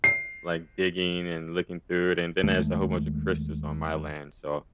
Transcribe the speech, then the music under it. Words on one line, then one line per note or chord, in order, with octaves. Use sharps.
like, digging and looking through it, and then there's a whole bunch of crystals on my land. So,
C7
D#2 D#3 G#3 A3